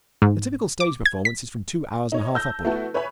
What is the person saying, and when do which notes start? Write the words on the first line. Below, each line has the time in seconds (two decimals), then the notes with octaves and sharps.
The typical stage performance is from two hours and a half upward.
0.22 G#2
0.80 D6
1.06 G#6
1.25 B6
2.12 D#4 C#5
2.34 A5 E6 G6 A#6
2.65 A3 B3 E4 F#4 A4
2.94 B4 C#5 E5 G#5 B5